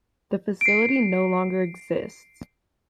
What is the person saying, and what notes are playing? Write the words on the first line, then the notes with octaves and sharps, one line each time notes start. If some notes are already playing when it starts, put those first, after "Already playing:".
The facility no longer exists.
C7 D7